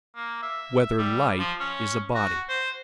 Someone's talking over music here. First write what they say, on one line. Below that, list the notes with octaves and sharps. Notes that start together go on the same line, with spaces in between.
Whether Light Is a Body?
A#3
E5
G3
F3
C#4
F#4
C5